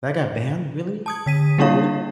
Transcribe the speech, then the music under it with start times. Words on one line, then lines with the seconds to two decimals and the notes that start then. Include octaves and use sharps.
That got banned, really? What wa
1.06 A5 D#6 G#6
1.26 D3 B6 D#7
1.58 G3 A#3 D4 E4 C#5 F5